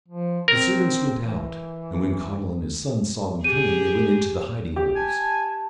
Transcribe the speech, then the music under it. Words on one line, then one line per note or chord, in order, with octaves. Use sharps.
The servants went out, and when Conall and his sons saw them coming they went into the hiding holes.
F3
C4 A#4
E3
G4 G#4 D#7
G4
G#5 A5